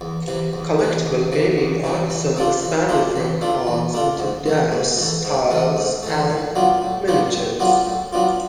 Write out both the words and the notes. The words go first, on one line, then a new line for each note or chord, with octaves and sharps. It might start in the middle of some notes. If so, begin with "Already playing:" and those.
Collectible gaming also expanded from cards into dice, tiles, and miniatures.
E2
C3 E3
E2
C3 E3
E2
C3 E3
E2
C3 E3
E3
A3 D4 F4
E3
A3 D4 F4
E3
A3 D4 F4
E3
A3 D4 F4
G#2
E3 A3
G#2
E3 A3
G#2
E3 A3
G#2
E3 A3
A2
F#3 B3 D4 F4
A2
F#3 B3 D4 F4
A2
F#3 B3 D4 F4
A2
F#3 B3 D4 F4